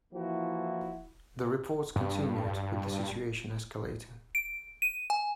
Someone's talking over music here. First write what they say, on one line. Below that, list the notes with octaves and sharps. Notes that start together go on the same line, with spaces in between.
The reports continued, with the situation escalating.
E3 F3 A#3 E4 F#4
G2
D7
D#7
G#5